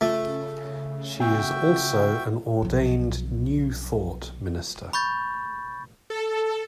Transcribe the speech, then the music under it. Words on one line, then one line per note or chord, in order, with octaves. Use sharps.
She is also an ordained New Thought minister.
C#3 A3 F4
B3 F#4 E5 G5
B1 F3
B5 C#6 G6 A6
A4